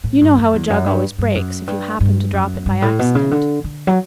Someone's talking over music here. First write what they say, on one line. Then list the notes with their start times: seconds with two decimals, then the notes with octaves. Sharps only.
You know how a jug always breaks if you happen to drop it by accident.
0.04 A2
0.21 G2
0.37 F#2
0.53 E2
0.70 F#2
0.86 G2
1.18 G2
1.35 F#2
1.67 G2
2.00 G2
2.33 F#2
2.66 G2
2.82 A2
2.99 B2
3.15 C#3
3.31 D3
3.64 D3
3.87 F#3